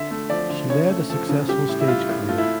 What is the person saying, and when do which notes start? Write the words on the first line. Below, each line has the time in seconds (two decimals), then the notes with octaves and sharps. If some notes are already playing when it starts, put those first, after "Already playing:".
She led a successful stage career.
Already playing: D3 E5
0.11 A3
0.30 F3 D5
0.50 D3
0.70 C#3 C#5
0.90 A3
1.10 F3 A4
1.29 C#3
1.48 G3 G4
1.69 A2
1.81 E4
1.88 G3 F4
2.09 A2
2.29 A3 F4
2.38 E4